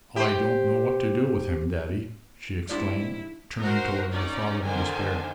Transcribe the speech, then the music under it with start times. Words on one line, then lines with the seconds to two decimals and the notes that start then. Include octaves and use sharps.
"I don't know what to do with him, daddy!" she exclaimed, turning toward her father in despair.
0.16 G4 C5
2.69 F2 G#2 G3 D4 E4 F4 D5
3.59 D#4 F#4 A#4 C5
4.10 C#4 D#4 D5
4.63 D3 D#3 C5 G#5